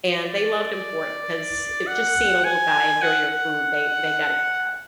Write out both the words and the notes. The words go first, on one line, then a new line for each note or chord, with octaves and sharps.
and they loved him for it because it just seeing a little guy enjoy your food, they they got a kick out of it.
D5
F#5
G#5
F#5